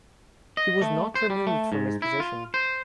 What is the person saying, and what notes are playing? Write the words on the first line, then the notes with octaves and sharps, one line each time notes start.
He was not removed from his position.
D#5
A3
C5
G3
A3
G#2
E4
F4
C5